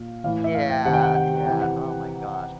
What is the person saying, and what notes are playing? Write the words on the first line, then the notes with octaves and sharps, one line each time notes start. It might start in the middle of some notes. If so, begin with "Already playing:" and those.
Yeah, yeah, oh my gosh.
Already playing: A#2 F5
A2 E3 F5
E5
F5
G5
C3 D#3 F#5
G5
F#5
F#5
C3 E3 G5
F#5